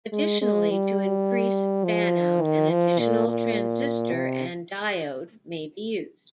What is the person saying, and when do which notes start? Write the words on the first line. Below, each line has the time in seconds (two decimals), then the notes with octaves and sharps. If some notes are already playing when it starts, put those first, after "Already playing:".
Additionally, to increase fan-out, an additional transistor and diode may be used.
0.13 G#3
0.42 G#3
0.70 G3
1.84 F3
2.42 D#3
2.70 F3
2.99 A#2
3.27 A#2
4.14 C3